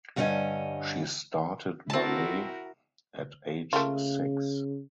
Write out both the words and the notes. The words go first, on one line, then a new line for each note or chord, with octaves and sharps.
She started ballet at age six.
G2 D3 G3 C#4 D#5 G#5
C4 E4 F#4 A#4 A5
C#3 A3 A#3 F4